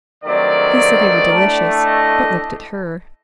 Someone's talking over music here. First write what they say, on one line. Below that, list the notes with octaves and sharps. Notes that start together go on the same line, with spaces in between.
He said they were delicious, but looked at her.
G2 D#3 F#3 A3 C4 D5
A2 A3 D4
D#5